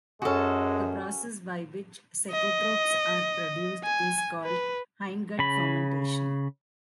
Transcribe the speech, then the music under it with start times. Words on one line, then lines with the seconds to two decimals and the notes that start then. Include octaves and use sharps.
The process by which cecotropes are produced is called "hindgut fermentation".
0.22 F#2 G#3 C#4 F#4 G#4 A4
2.31 D#5
3.84 G#5
4.45 B4
5.39 C#3 B5